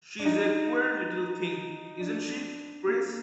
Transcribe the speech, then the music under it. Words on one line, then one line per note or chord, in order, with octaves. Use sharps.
She's a queer little thing, isn't she, Prince?
D4
D#4
D4
A#3